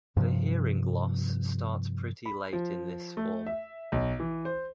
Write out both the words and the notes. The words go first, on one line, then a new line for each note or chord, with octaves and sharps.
The hearing loss starts pretty late in this form.
G2 C3 F3
B5
F3
A3
E5
B1
E3
C5